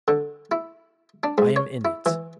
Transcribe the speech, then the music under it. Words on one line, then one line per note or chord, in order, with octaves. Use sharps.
I am in it.
D3
E4
D4
G#2
C#5
E4
E3